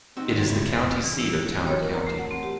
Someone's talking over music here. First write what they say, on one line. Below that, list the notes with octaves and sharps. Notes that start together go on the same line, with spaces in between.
It is the county seat of Towner County.
C4 D#4 F#4
D#3 G#3 C5
C#3 E4 C#5
E2
E3
E4
F#6
F#4
C#5
A#4
A#5
A3
F#5
C4
G4